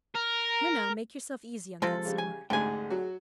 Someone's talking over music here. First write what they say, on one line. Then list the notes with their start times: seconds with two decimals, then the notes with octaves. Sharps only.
"No, no, make yourself easy on that score."
0.15 A#4
1.82 C3 F3 G#3 F4 A4
2.05 C#3 G3
2.18 G#5
2.50 A1 D2 G#2 D3 G#4 G5 G#5
2.90 F#3 F#4